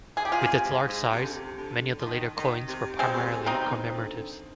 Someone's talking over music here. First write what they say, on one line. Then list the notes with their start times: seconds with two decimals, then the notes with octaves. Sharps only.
With its large size, many of the later coins were primarily commemoratives.
0.16 D#3 G#4
0.25 G4
0.32 F4 G#4
0.40 C3
0.64 G#2
0.87 G#2
1.11 C3
1.22 D3
1.34 C3
1.58 D3
2.00 F3
2.06 D#3
2.37 D#3
2.68 C3
2.99 C3 G#3 C4
3.12 B2
3.26 C3
3.46 B2 C4 D#4
3.94 D3